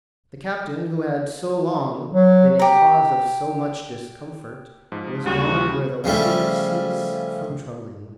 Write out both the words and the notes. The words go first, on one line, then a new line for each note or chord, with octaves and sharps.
The captain, who had so long been a cause of so much discomfort, was gone where the wicked cease from troubling.
F#3
G4 A#5
G#2 F3
D#2 C#3 G3 F#4
C#3 F3 G3 A3